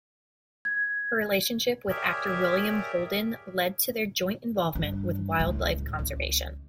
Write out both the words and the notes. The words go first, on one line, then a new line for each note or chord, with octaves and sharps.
Her relationship with actor William Holden led to their joint involvement with wildlife conservation.
G#6
G4 G#4 A#4 C#5 D5 E5
G2
C#2 A2
C#2